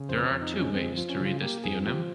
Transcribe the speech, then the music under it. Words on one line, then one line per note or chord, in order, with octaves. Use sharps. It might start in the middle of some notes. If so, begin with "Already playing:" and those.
There are two ways to read this theonym.
Already playing: C#3
F2 C5
F2 C#5
D#4
G#3
C#4
F2 C4
F3
C#4
C#3
F4
A#3 G4
F2 G#4
F3 G4